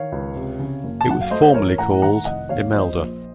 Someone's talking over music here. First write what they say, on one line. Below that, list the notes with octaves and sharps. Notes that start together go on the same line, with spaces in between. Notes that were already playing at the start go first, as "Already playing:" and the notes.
It was formerly called Imelda.
Already playing: D#3 C#5 F5
C#2
C3
C#3
F#1
A5
F#2 F#5
F5
A3 C5 D#5
A1 A#4 C#5
A2 F#5 A#5
D#3 F#5 A#5
F1 D#5 F#5
D#2 C#5 F5
F3 C5 D#5
A#1